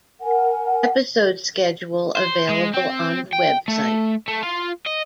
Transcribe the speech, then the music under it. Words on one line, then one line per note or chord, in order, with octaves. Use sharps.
Episode schedule available on the website.
A#4 F#5 G#5
C5
G#3
C4
G5
A3
A3
F4
D#5